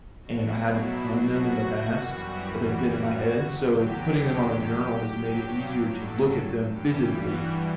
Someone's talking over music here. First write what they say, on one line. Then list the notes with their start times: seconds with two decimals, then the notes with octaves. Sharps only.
and I haven't done them in the past, but they've been in my head. So putting them on a journal has made it easier to look at them physically
0.21 B2 F#3 F#4
0.61 E4
1.02 F#4
1.83 F#2 E3 G3
2.65 F#4
3.05 F#4
3.46 E2 D3 F#3 G4
5.08 G2 F#3
5.89 A4
6.70 G2 E3 G3 G4
7.11 F#4